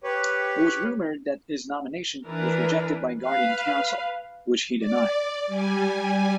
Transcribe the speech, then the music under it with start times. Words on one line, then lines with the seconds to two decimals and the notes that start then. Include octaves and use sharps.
It was rumored that his nomination was rejected by Guardian Council, which he denied.
0.04 G4 B4 C#5
2.26 E3 D4 E4 A#4 B4
3.24 B4 F5
4.79 D5
5.47 G3 G#5